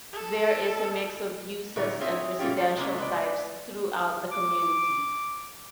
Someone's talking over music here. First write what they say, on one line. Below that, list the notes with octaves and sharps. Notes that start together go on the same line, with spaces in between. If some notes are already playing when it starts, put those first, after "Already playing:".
There is a mix of uses and residential types throughout the community.
A4
A2 D3 F#3 E4 A#4 C#5
C4 F4 G#4 C#5 E5
A#2 E3 C#4 F4 G4
C5
C3 E3 G#3 A#3 C#4
G#3 B4 D5
D6